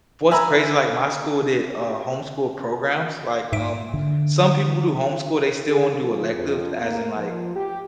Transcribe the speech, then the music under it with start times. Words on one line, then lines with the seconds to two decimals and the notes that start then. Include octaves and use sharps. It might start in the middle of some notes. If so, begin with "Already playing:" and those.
what's crazy, like, my school did, uh, homeschool programs. Like, um, some people do homeschool, they still wanna do electives as in, like,
0.31 E5 G#5 A#5 B5 E6
3.52 G#2 E5 D7
3.94 D3
5.70 G#4
5.99 F3
6.34 F2
6.81 A#3
7.16 F3
7.55 G4